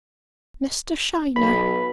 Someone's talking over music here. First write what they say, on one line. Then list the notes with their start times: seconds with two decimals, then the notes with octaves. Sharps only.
"Mr. Shiner."
1.36 B1 B5